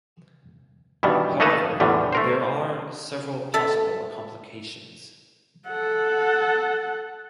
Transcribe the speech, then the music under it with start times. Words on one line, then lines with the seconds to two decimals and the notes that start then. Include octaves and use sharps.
However, there are several possible complications.
1.03 G2 B2 D#3 E3 G3
1.40 A3 A#3 D#4 A4 B4 A5
1.80 E2 A2 D3 E3 G3
2.13 A3 A#4 C5
3.54 A4 E5 A5
5.68 A4 F#5